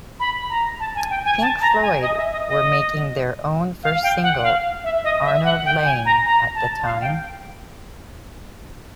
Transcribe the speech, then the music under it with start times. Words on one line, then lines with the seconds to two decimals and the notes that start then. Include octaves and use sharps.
Pink Floyd were making their own first single, "Arnold Layne", at the time.
0.20 B5
0.50 A#5
0.80 A5
0.95 G#5
1.10 G5
1.25 G#5
1.41 A5
1.62 A#5
1.82 G#5
2.01 D#5
2.17 E5
2.32 D#5
2.47 D#5
3.84 F5
4.03 G5
4.23 F#5
4.43 F5
4.84 E5
5.04 D#5
5.24 E5
5.44 F#5
5.65 G5
5.85 G#5
6.06 A#5
6.26 A#5
6.55 A5
6.85 F5
7.01 G5